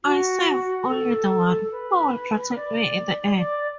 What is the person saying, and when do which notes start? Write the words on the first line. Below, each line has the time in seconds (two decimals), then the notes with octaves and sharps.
I serve only the One, who will protect me in the end.
0.04 F#4
0.87 A4
1.71 B4
2.55 D5
3.37 D5